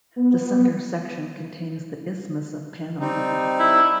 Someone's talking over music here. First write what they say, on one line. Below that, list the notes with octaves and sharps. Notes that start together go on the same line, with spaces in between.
The center section contains the Isthmus of Panama.
B3
G3 C4 D#4
E4